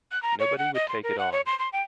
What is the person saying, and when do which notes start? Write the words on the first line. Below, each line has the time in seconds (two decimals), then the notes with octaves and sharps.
Nobody would take it on.
0.11 F#6
0.23 A#5
0.40 C#5
0.58 F#5
0.74 D#5
0.89 C6
1.03 A#4
1.18 F#5
1.32 C#5
1.46 C6
1.59 C6
1.73 G5